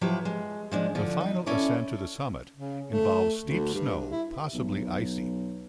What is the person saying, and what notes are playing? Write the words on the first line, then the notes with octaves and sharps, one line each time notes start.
The final ascent to the summit involves steep snow, possibly icy.
F3 F#3 E4 G4 B4
G#3
F3 G#3 D4
D3 F3
D#4
C#4 E4 A4 D5
C#3
A3
D2
G2
E4
B1